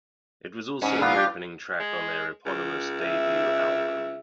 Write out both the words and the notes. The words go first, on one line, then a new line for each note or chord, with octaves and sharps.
It was also the opening track on their eponymous debut album.
G#2 C#4 D4
A#2 E3 B3 F4
D4 G4
G#3
C#2
C#2 E5